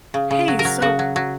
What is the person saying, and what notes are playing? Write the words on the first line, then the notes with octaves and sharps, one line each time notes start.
Hey, so,
C#3
C#3
F#3
A#4
F#3
C#3 F#4
F#3
F#3